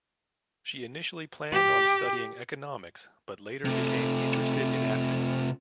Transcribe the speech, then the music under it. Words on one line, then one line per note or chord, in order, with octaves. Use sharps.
She initially planned on studying economics but later became interested in acting.
G4
C3 A3